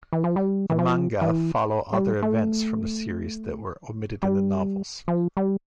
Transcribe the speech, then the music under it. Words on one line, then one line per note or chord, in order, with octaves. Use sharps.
The manga follow other events from the series that were omitted in the novels.
E3
F3
G3
E3
F3
E3
G3
A3
G3
F3
G3